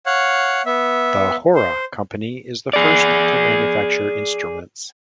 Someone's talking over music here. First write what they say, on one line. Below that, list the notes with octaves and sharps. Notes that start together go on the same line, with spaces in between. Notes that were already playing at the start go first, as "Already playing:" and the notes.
The "Hora" Company is the first to manufacture instruments.
C#5 F5 F#5
B3 E5
C5
G#4 D5